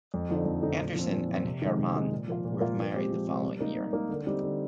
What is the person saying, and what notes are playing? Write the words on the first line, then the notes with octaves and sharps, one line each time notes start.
Anderson and Herrmann were married the following year.
F2
D3 F3 C4 D#4
F2
D3 F3 C4 D#4
A#2
F3 C4
A#2
F3 C4
C3
D#3 G#3
C3
D#3 G#3
A#2
F3 A#3 F4
A#2
F3 A#3 F4
F3
G#3 C4 G4
F3
G#3 C4 G4
G3
A#3 D#4
G3
A#3 D#4
D3
G3 C4 D#4 G4
D3